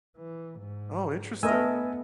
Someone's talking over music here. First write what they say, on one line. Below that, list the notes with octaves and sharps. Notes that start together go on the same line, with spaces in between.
Oh, interesting.
E3
G#2
A3 B3 A#4 B4 D#5 G#5 E6